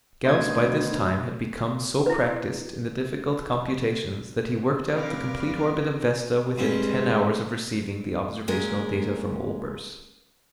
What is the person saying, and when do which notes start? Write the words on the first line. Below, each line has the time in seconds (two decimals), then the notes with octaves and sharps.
Gauss by this time had become so practised in the difficult computations that he worked out the complete orbit of Vesta within ten hours of receiving the observational data from Olbers.
0.25 D2 B2 C5 D#5 G#6
2.06 E4 B4
4.96 C3 F3 A#4 B4 D5 F5
6.58 G2 G#3 C4 C#4
8.48 A#2 G#3 C#4 A#4